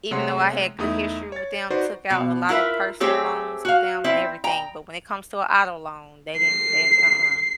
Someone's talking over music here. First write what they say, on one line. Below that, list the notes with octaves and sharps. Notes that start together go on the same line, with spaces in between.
Even though, I had good history with them, took out a lotta personal loans with them and everything, but when it comes to a auto loan, they didn't they Uh-uh.
C3 G#3 A3 C#5 F#5 C6
E2 A3 D#4 E4 D#6
C#5 A6
D#4 F#4 B4 C5 D5
B2
E4 F4 A#4 B4 E5
A3 C4 G4 G#4 C#5
F#4 F5
C4 E4 E5
G5 A#5
C7